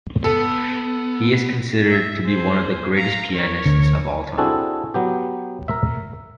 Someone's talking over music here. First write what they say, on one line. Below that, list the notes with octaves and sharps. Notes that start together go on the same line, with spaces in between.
He is considered to be one of the greatest pianists of all time.
B3 A4
E5
G#4 C5
F5 A#5
A#4 C#5
D2 D3
C4 D4 E4 F#4 G#4 A4
F#3 B3 G4
A#4 E5